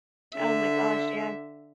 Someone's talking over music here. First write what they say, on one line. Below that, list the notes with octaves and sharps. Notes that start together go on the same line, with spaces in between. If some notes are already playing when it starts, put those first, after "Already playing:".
Oh, my gosh, yeah.
D3 E5